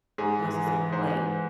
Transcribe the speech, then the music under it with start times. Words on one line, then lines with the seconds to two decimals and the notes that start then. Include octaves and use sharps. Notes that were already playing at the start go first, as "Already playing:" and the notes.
once it's on the plate.
0.18 G#2 G#4
0.42 E3
0.67 E3
0.92 G#2 C5
1.17 G#2